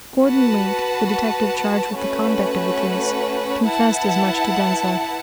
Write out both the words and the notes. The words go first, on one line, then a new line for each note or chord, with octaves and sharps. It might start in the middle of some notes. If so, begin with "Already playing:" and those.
Gordon Link, the detective charged with the conduct of the case, confessed as much to Denzil.
F#4 B4 F#5 A5
A3 C#4 F#4 B4
E4 B4 F#5 A5